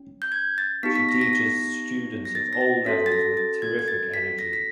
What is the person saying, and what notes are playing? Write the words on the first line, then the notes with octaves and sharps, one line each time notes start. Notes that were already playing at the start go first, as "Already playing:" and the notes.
She teaches students of all levels with terrific energy.
Already playing: C#4
G6
G#6
A6
B3 D#4 G4 B6
B6
A#6
B6
A#6
A#6
A#6
A6
A#6
A6
C#4 F#4 A4 B6
A6
A#6
A6
G#6
G#6
A6
B6
A#6
B6